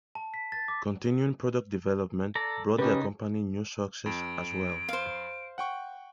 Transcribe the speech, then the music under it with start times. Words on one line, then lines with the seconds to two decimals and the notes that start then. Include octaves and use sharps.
Continuing product development brought the company new successes as w ell.
0.15 A5
0.34 B6
0.52 A6
0.68 D6
2.35 A4 D5 A#5
2.78 C#3 C#4 D#4 G4 B4
4.06 F2 D7
4.89 C5 F5
5.58 F#5 G5 C#6